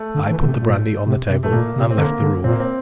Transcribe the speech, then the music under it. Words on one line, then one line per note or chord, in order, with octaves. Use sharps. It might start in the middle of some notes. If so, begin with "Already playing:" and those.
I put the brandy on the table and left the room.
Already playing: A3
D3
E3
D3
C3
A#2
C3
C3
A3
A2
A#2 A#3
C3
C4
D3 A#3
D3
A#2 C4
A#3
C4